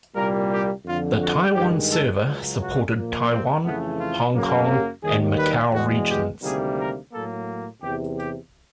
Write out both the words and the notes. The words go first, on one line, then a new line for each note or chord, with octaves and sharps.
The Taiwan server supported Taiwan, Hong Kong and Macau regions.
C2 A#2 G3 A#3 A#4
G4
F2 D3 F3 F4
F#4
G2 D#3 G#3 G4
A4
C#2 C#3 F#3
F#4
A#2 F3 A#3
C4
F2 C#3 E3 A3 B3
F4
F#2 C#3 F#3 A#3
G4
D#2 D#3 G3 G#4
B4
E2 B2 G#3 F#4
G4
D2 C3 D#3 G3 A#3 G#4
A#4
A2 F#3 A#3 A4
E2 C3 E3 G4
G4